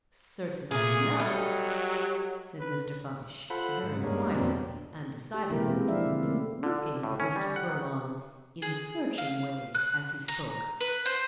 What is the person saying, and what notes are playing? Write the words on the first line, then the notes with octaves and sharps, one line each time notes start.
"Certainly not," said Mr. Fyshe, very quietly and decidedly, looking at Mr. Furlong in a searching way as he spoke.
A#2 A3 G#4
F#3 G3 A4 D#5
B4
F4 A4 C5 F#5 B5
G#2
G2 G#3 A#3 C#4
F2 B2 A#3 C4 D4
G4
C3 E3 G#3 A#3 E4 A#4
B2 G#3
F3 C4 D4 E4 E5 F5
D3
A3 A#3 C#4
D3
A2
C#4
G3
F#5
D#3
G#4
F5
F#6
A#5
B4
C5